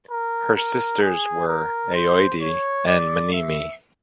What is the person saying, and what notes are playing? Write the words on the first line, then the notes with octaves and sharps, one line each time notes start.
Her sisters were Aoide and Mneme.
A#4
A#4
G#4
A#4
C5
C#5
D5
E5